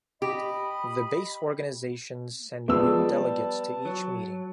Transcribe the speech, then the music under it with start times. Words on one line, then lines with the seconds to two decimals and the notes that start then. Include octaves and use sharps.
The base organizations send new delegates to each meeting.
0.22 G4 D#5 B5
2.68 F3 G3 G#3 B3 A5 E6
3.08 G3
3.85 F#3